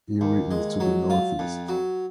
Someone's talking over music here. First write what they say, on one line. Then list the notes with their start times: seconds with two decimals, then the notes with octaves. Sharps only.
Erie is to the northeast.
0.21 D#2
0.51 G#3
0.80 F#3
1.10 F4
1.39 F2
1.69 F#3